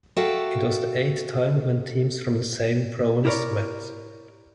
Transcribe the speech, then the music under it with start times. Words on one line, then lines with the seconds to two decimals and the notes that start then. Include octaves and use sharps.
It was the eighth time when teams from the same province met.
0.17 F#4 A4 E5 F5 G5
3.25 E4 G4 A#4 C#5 D5